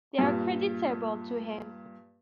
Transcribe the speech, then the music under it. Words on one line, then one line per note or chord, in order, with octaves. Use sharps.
They are creditable to him.
G2 A#2